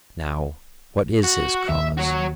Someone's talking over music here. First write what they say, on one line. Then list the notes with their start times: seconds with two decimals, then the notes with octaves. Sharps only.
Now, what is his cause?
1.23 F#4
1.69 D#2 E5
1.97 F#4 C#5